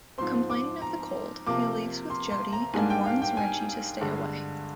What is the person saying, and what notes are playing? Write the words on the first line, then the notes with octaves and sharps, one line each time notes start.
Complaining of the cold, he leaves with Jody and warns Reggie to stay away.
G#2 F3 C4 C6
D6
A#5
C3 F3 A#3 D6
C6
C6
A#5
G#2 G3 A#3 D4 G#5
G5
F5
G5
G#5
G2 D3 G#3